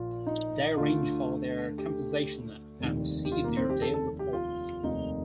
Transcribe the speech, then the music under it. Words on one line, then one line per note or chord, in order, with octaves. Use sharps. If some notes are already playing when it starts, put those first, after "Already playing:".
Day arranged for their compensation and received their daily reports.
Already playing: A#1 A#2 F4
D#4
D2 D3 A3 F4
G4
F1 D#2 D#3 G3
G4
F4
A#3
C4
G4
A4
A4
G4
F4
F1 D#2 D#3 D#4